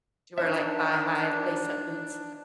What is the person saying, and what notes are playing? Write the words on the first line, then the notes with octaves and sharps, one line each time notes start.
Did you wear, like, thigh high lace up boots?
D4 D#4 C5 E5